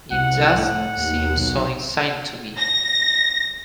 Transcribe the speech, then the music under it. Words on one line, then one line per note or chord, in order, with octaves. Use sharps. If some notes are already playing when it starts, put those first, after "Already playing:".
It just seems so insane to me.
C2 F#5
A2 F#5
D#2
B1
A#6